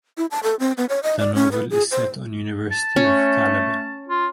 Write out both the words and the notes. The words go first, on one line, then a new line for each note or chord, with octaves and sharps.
The novel is set on University of Calabar.
E4
A5
A4
C4
B3
C#5
D#5
D5
C#4
B4
G#4
C5
A5
A3 C#4
F4